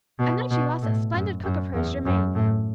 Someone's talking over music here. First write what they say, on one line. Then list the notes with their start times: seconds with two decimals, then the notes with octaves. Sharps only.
And then she lost that splendid cook of hers, Germaine.
0.19 B2
0.51 B2
0.82 A2
1.12 F#2
1.43 F#2
1.74 E2
2.05 F#2
2.35 A2